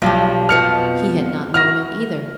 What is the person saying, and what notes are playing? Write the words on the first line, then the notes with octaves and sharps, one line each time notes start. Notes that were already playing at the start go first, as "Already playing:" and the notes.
He had not known it either.
B1 F3 G3 G4
F2 B2 F3 F6 C#7
E4 F#4 F6 A#6